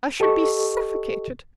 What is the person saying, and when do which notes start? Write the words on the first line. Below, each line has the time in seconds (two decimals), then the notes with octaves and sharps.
I should be suffocated.
0.20 G4 A4 D#5 C#6